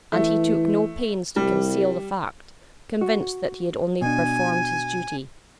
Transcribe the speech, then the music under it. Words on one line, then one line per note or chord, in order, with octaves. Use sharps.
And he took no pains to conceal the fact; convinced that he had only performed his duty.
E3 A3
C2 G3
F#4
B2 D4 G#5